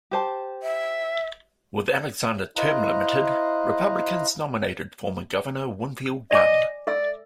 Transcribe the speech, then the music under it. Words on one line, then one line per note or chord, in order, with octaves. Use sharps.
With Alexander term-limited, Republicans nominated former Governor Winfield Dunn.
G4 C5 A5
E5
E4 C5 D#5 F5 A#5 F#6
D5 D#5 G#5 D6
A4 D5 E5 E6